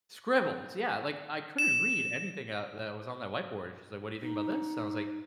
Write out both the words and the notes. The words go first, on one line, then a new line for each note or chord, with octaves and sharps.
scribbles. Yeah, like, I couldn't read anything out that was on that whiteboard. She's like, "What do think about this?" So I was like,
E7
D#4